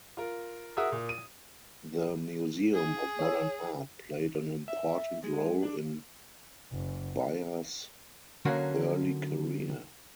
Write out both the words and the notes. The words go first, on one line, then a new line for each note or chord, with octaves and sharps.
The Museum of Modern Art played an important role in Byars's early career.
F4 A#4
F#4 G#4 A#4 E5 D#6
A#2
D#7
G#4
C#5 E6
E5
G#3
D4
F#1
D3 F#3 A#3 C#4